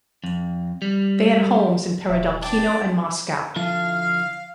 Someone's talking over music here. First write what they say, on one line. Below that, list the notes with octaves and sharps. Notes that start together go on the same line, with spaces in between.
They had homes in Peredelkino and Moscow.
F2
G3
D#1 E5
D4 D5 G5 A5
D3 F3 E4 F5 F6